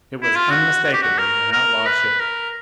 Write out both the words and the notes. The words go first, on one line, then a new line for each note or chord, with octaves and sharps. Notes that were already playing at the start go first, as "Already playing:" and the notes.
It was unmistakably an outlaw ship.
E4
F4
F#4
F#4
G4
F#4
A#4
A#4
B4
A#4